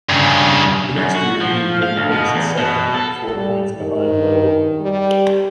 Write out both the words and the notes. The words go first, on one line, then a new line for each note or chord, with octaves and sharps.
The next year he again placed second, four points behind Loeb.
G2 C#3
F#2
F#4
F3
F5
D2
B2
E2
B2
A4
G3
D#3
G3